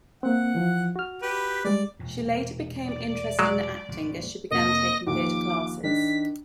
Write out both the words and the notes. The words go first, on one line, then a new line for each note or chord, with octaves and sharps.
She later became interested in acting as she began taking theatre classes.
A#3 C4 F#5
E3 F3
F#4 F6
G4 B4
G3 G#3 D5
E1 A#2
D5
F#3 G#3
A1 D#2 C3
F1 A#3 D#5
D#2 F3 D6
D#3 D4 B6